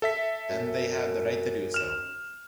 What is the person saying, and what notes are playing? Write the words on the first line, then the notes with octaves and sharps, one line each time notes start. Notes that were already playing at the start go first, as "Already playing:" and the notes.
And they have the right to do so.
A4 E5 B6
F#2
F6 E7